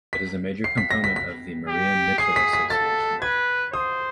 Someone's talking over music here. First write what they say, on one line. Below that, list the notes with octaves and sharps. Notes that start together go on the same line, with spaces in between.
It is a major component of the Maria Mitchell Association.
B6
C7
B6
A#6
B6
B6
G4
G#4 C7
B6
B6
A4 A6
B4 G#6
C5 D#6